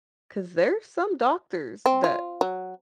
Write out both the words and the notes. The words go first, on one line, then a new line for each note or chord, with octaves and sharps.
'Cause there's some doctors that
C4
F4
F#3